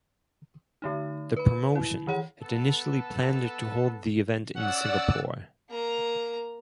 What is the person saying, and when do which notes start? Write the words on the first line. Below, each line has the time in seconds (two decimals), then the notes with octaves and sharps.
The promotion had initially planned to hold the event in Singapore.
0.82 D3 A3 D#4
1.37 B4 B5
1.75 E4
2.07 D#3 E3 C#5 F#5
2.42 B3 A4
4.55 C#4 D5 F#5 E6
5.70 A#3 A#5